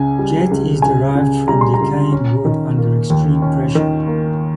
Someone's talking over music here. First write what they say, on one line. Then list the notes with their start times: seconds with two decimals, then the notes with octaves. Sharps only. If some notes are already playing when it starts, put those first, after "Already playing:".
Jet is derived from decaying wood under extreme pressure.
Already playing: C#2 C#3 G#5
0.19 G3
0.51 C#2
0.82 C#2 G#5
1.15 C#3
1.48 G3 A#5
1.61 C6
1.74 A#5
1.81 C#2
2.12 C#4
2.45 D#3
2.78 A#3
3.10 D#2
3.42 C#4
3.75 D#3
4.08 A#3